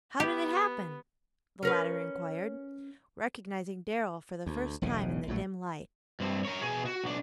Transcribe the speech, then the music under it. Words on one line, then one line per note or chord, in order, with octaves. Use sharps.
"How did it happen?" the latter inquired, recognizing Darrell for the first time in the dim light.
B3 G4
C#4 A#4 B4
D2
E1 B1 A2 C#3
A#1 A2 F#3 A3
G2 C4
A#4 C#5
B2 G#4
F#4
B1 D4